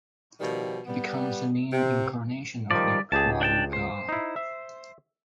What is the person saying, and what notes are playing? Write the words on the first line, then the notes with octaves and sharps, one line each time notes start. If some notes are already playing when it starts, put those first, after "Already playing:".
He becomes the new incarnation of the Crow god.
B2 D#3 F3 G3
G3 B3
C3
D#3 F3 G3 D5
C#2 G4 G#4 A5
D4 G5 A5
C5
D#4 E4
E5